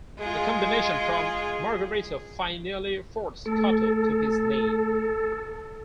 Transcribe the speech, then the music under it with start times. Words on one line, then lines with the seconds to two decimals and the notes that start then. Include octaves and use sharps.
A combination from Margarito finally forced Cotto to his knee.
0.18 G#3 F4 G#4
3.46 A3 A4